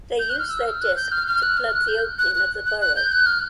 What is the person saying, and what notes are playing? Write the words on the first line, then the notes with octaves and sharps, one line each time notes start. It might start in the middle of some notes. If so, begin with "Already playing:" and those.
They use their disk to plug the opening of the burrow.
G6
F#6
F6
E6
F6
F#6
G6
F6
F6
F#6
F6
F#6
G6
F#6
F#6
F#6
F#6
G6
F#6
F6